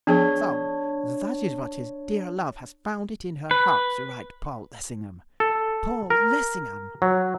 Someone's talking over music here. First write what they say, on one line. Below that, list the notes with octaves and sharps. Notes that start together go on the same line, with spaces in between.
'So!--That is what his dear love has found it in her heart to write Paul Lessingham!--Paul Lessingham!'
F3 B3 D4 G#4 C#5
B4
A4
A#4
F#3